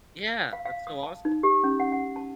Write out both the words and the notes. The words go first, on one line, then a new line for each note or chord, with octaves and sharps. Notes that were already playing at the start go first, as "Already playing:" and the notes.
Yeah, that's so awesome.
F5
F5
D#6
A5
D#4
G4
C#4
F#5
F#5
A5